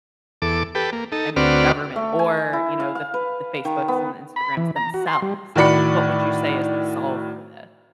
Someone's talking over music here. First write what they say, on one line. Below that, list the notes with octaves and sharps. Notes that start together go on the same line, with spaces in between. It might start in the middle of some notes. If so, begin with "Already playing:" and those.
I mean, the government, or, you know, the the Facebooks and the Instagrams themselves, like, what would you say is the solve for this?
E2 A4 D6
G4 A4 B4
A#3
D#4 A4
D2 C4 F#4 B4 D5 F6
A3
G#5
E4
F5
F5
B4
D#3
B3
B5
E3
A#5
F#4
C6
G3
A2 D#3 F#4 D5 B5 C#7